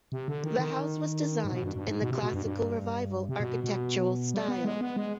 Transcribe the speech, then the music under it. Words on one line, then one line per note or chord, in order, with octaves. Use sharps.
The house was designed in the Classical Revival architectural style.
C3
D3
D#3
D#3
G#2
B2
G2
G2
G#2
B2
C3
B2
G2
G2
C3
B2
B2
G3
B3
G#3
B3
G#3